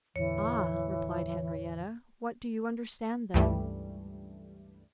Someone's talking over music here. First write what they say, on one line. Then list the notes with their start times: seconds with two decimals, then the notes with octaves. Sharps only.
"Ah!" replied Henrietta, "what do you understand, then?"
0.16 E2 A2 D3 E3 C#5
3.34 C#2 G2 E3 G3 A3